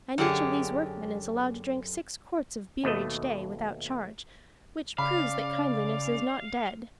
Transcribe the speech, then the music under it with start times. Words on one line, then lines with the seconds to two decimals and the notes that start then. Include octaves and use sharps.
And each of these workmen is allowed to drink six quarts of beer each day, without charge, which proves that kindliness is not dead.
0.18 F#2 D3 G4 G#4
2.84 D#2 B2 A3 D#5
4.98 C#3 D5 F5 B5